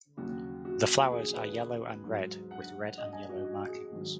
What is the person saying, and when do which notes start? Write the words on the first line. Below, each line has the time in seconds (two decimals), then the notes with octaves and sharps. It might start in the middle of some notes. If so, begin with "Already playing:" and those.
The flowers are yellow and red with red and yellow markings.
0.17 D#2 C#3 F#3 F#4
0.65 F#4
1.11 G#4
1.34 B4
2.05 G#2 F#3
2.51 F#5
2.98 D#5
3.13 G#5
3.29 F#4
3.45 F#4
3.68 G#4
3.92 G#2 D#3 F#3